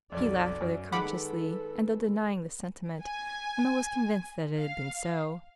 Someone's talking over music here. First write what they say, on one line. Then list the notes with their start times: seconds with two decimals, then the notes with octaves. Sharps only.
He laughed rather consciously; and though denying the sentiment, Emma was convinced that it had been so.
0.12 B1 F2 D5
0.61 F#2
0.92 D#3 G#3 A4 B4 F#5 B5 D6
3.03 G#5
4.55 F5